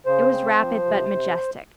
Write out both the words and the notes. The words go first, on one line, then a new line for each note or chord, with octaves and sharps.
It was rapid but majestic.
C#3 C5
C4
F3
C3
C3